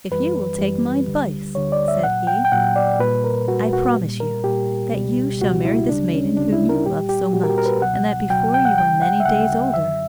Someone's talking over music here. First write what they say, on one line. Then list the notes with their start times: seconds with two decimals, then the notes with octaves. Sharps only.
'If you will take my advice,' said he, 'I promise you that you shall marry this maiden whom you love so much, and that before you are many days older.'
0.11 F#2 E3 G3 B4
0.59 F#2 E3 G3
1.07 D2 D3 G3
1.55 D2 D3 G3 C#5
1.72 D5
1.88 E5
2.04 A#2 F#3 F#5
2.27 G5
2.45 G5
2.52 A#2 F#3 F#5
2.76 D5
2.99 A#2 G3 B4
3.24 A#4
3.48 A#2 G3 F#4
3.73 F#4
3.96 A#2 G3
4.20 A#4
4.44 A#2 G3 G4
4.92 C#2 B2 G3
5.41 C#2 B2 G3 F#4
5.65 E4
5.89 D2 C#3 G3 D4
6.13 C#4
6.37 D2 C#3 G3 D4
6.53 E4
6.69 A#4
6.85 A#2 G3 G4
7.09 G4
7.33 A#2 G3 F#4
7.44 A#4
7.49 G4
7.58 A#4
7.66 B4
7.81 C#2 B2 F#3 F#5
8.30 C#2 B2 F#3 G5
8.54 G5
8.65 F#5
8.77 D2 C#3 G3 G5
9.02 F#5
9.20 E5
9.25 D2 C#3 G3 F#5
9.74 F#2 D3 F#3 E5